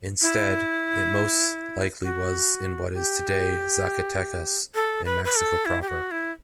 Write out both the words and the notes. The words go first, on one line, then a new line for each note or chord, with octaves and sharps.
Instead, it most likely was in what is today Zacatecas in Mexico proper.
E4
F#4
G4
A4
B4
B4
A4
E4
G4
F#4
E4